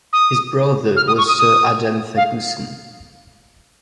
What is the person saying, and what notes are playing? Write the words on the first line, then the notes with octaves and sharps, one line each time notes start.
His brother was Sir Adam Ferguson.
D#6
F6
D#6
C#6
D#6
D#6
F5